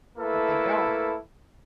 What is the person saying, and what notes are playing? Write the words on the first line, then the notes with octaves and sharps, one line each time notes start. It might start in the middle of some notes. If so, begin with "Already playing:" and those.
but they don't.
A3 A#3 E4 A4 B4